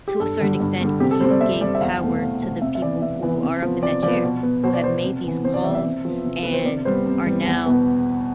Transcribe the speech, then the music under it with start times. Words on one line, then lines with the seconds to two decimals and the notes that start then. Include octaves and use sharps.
to a certain extent you gave power to the people who are up in that chair? Who have made these calls and are now
0.08 G4
0.20 G2 A4
0.40 D3 G3
0.60 G2
0.81 D3 G3
1.00 C3 G4
1.11 A4
1.20 G3 C4 C5
1.31 D5
1.41 C3 E5
1.61 G3 C4 D5
1.75 E5
1.81 E2 F5
2.01 B2 A3 C4
2.22 E2
2.42 B2 A3 C4
2.62 C3 E5
2.75 E5
2.82 E3 B3 D5
3.02 C3 E5
3.22 E3 B3
3.43 C3
3.62 F3 B3
3.82 C3 D5
4.03 F3 B3 D5
4.24 B2
4.43 B3
4.64 B2 C5
4.74 D5
4.84 B3 C5
5.04 C3
5.24 E3 B3
5.44 C3 C5
5.54 D5
5.64 E3 B3 E5
5.75 E5
5.84 C3
6.05 F3 B3
6.25 C3
6.43 F3 B3 B4
6.54 C5
6.65 C3 D5
6.85 G3 B3 C5
7.06 C3
7.25 G3 B3
7.46 E2
7.66 B2 B3